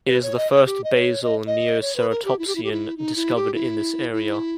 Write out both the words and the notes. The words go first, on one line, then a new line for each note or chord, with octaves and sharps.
It is the first basal neoceratopsian discovered in this area.
B4
C#5
D#5
C#5
G4
D#5
C#5
D#5
D#5
C#5
B4
A#4
G4
E4
G4
E4
G4
E4
D#4
E4
G4
E4
E4